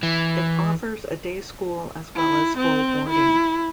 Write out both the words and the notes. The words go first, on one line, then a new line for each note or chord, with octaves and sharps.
It offers a day school as well as full boarding.
E3
E4
C4
E4